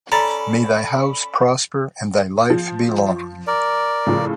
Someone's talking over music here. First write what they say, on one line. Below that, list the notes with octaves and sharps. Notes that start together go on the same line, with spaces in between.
May thy house prosper and thy life be long!
C#4 A4 D5 A#5 B5 A6
F3
A#4 D5
A2 C#3 F3